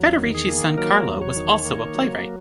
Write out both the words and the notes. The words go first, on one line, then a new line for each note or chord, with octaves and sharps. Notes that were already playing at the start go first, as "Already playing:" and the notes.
Federici's son Carlo was also a playwright.
Already playing: E2 F#3
D#3
G#4
A#3
F#3 A#4
E2
C#5
D#3
A#3
F#3